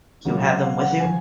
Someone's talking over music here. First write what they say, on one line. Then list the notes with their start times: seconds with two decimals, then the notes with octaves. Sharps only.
You have them with you?
0.25 C#2 C#3 F#3 F#4
0.44 F#4
0.63 F5
0.81 F#5
1.00 F3 G#5